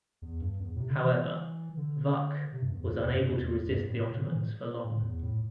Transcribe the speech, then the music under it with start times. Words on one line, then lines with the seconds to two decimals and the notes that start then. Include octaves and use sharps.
However, Vuk was unable to resist the Ottomans for long.
0.22 E2
0.41 G2
0.60 E2
0.75 A2
0.80 C3
0.90 D3
1.00 E3
1.77 D3
2.52 C3
2.62 G2
2.72 E2
2.82 G2
2.91 E2
3.11 G2
3.30 E2
3.64 E2
3.69 G2
3.88 A2
4.07 A2
4.17 D3
4.26 E3
4.35 A2
4.84 A2
5.03 E2
5.23 A2